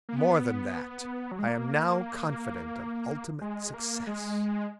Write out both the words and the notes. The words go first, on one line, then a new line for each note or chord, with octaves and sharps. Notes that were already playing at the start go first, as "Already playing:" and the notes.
"More than that, I am now confident of ultimate success."
A#3
B3
F#3
G#3
A#3
G#3
A#3
G#3